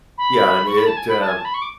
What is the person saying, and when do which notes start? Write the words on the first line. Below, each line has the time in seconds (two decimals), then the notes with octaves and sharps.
Yeah, and it, um,
0.17 B5
0.67 C#6
0.77 B5
0.86 A5
0.96 G#5
1.08 B5
1.20 A5
1.27 G#5
1.37 A5
1.44 B5
1.54 C#6
1.61 D6